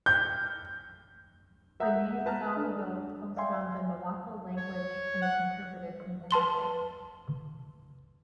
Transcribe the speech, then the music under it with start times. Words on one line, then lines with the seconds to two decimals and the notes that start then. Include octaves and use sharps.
The name Sahuayo comes from the Nahuatl language, and is interpreted in many ways.
0.06 G6
1.80 A#4 E5 F#5 A#5 D#6 G6
2.26 B4 A5 A#5 F6
2.57 D4
3.36 D5 E5 F5 G5 G#5 C6
4.57 C#5
5.22 F#5
6.31 B4 A5 C6 G7